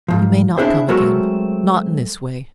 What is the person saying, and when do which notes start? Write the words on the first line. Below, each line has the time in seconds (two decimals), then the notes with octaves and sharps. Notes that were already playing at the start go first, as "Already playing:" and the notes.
You may not come again,--not in this way.
0.08 G#2 F3
0.58 C4 D4 E4 G#4 C5
0.88 F#3 G#3 A3 C4 F#4 A#4